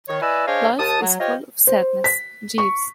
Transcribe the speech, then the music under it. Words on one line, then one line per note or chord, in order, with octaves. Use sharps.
Life is full of sadness, Jeeves.
D#3 C#5
E4 B4 D5 D#5 G#5 E6
D4 G#4 C5 C#5 D#5 F5
D#2 A5 D#6
F#3
F4 G4 C5 C#5 D#5
C5
B6
C#6